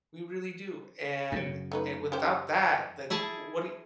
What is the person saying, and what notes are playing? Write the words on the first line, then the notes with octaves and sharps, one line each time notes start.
We really do. And and without that, like, w what do you
F#2 C#3
A3 D#4 B4
C#4 G4 C5
E4 G#4 A5